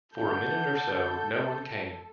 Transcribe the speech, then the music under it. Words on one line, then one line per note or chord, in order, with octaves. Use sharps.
For a minute or so no one came.
D3 A4 A5 G6